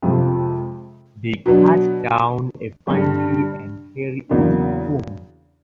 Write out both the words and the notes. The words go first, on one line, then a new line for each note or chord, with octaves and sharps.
They cut down a fine tree and carry it home.
F2 C3 F3 G#3
B2 F#3 B3 D4
G2 D3 G3
E2 C#3 F#3 A#3 D4